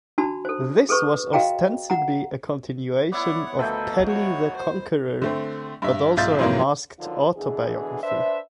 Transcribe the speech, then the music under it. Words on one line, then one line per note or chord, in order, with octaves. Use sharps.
This was ostensibly a continuation of "Pelle the Conqueror", but also a masked autobiography.
D4 F#4 A5 B5
A4 C5
G#4 A4 B4 C#6
F#4 D#5 F5 G5 A#5
F#5 A#5
B3 E4 C#5 D5 F#5
D2 D#3 F3 B3 A4 E5 G6
F#4 C#5
C5
D3 A3 C4
G2 E5
B1 G#2 F4 E5 G6 A6
F2 G#2 E3 F#3 A#3
D3 D#3 F3 F#3 D#4 F4
B2 D3 E3 G#4
D4 B4 C5 E5